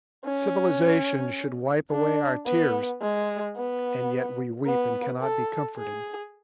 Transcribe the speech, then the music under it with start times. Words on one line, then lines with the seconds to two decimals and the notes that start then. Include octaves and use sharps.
Civilization should wipe away our tears, and yet we weep and cannot be comforted.
0.25 C#4
1.91 D4
2.46 B3
3.01 G#3
3.56 B3
4.66 B3
5.21 A4
5.77 G#4